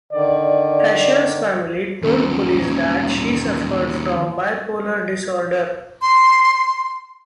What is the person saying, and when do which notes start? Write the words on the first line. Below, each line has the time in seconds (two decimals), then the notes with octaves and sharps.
Asher's family told police that she suffered from bipolar disorder.
0.13 D3 D#3 D5
2.03 D#2 C#4
6.02 C6